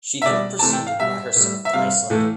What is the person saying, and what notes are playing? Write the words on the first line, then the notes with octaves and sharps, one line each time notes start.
She then proceeded by herself to Iceland.
E5
B2 G3 D5
C3 E3 A3 A5
G5
F5
B2 G3 E5
A2 G3
E5
C3 G3 F5
A2 E3 A3